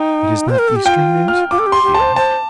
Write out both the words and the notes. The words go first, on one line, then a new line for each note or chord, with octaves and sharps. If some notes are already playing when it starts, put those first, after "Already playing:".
"It is not Eastern news?" she asked.
Already playing: D#4 G5
C5
A#4
A4
G4
F4 G5
F6
F4 D6
A4
G4
C6
G4
A5
C5
C5 A5